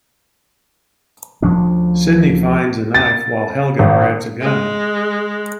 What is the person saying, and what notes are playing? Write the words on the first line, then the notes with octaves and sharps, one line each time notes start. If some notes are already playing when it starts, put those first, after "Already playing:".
Sidney finds a knife while Helga grabs a gun.
D2 F3 C#4 D4
A6
G#1
G#3